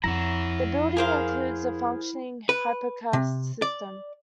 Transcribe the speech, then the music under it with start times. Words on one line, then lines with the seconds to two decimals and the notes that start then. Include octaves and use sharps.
The building includes a functioning hypocaust system.
0.04 F2 E4 C#5 E5 F#5 A#5
0.97 G#4 A#4 C5 F5
2.49 B4
3.13 C3
3.62 D5